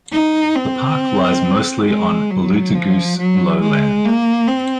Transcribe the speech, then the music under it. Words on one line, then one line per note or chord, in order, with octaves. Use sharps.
The park lies mostly on Alutaguse Lowland.
D#4
C4
G#3
F#3
F3
F#3
G#3
A#3
C4